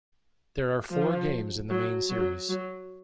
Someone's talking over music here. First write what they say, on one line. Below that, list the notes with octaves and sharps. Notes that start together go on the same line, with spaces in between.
There are four games in the main series.
F3
F#3
F#3
F#3